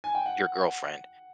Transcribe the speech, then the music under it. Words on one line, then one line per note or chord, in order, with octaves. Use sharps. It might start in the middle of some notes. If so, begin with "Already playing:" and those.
your girlfriend,
G#5
G5
F#5